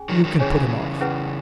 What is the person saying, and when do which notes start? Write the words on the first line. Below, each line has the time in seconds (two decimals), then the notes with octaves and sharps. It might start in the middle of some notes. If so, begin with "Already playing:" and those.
'You can put him off.
Already playing: C#4 G#4 G#5
0.09 D#3 F#3
0.24 D#3 F#3
0.39 C#3 E3 C#4 G#4 C#5 G#5
1.01 C#4 E4 G#4 B4 F#5